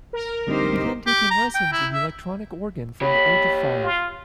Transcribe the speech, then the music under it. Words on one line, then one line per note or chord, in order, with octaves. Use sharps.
He began taking lessons in the electronic organ from the age of five.
A#4
D2 G2 C3 D#4 G4 C5
G4
A#5
G5
E4
E5
G4 C#5 B5
F4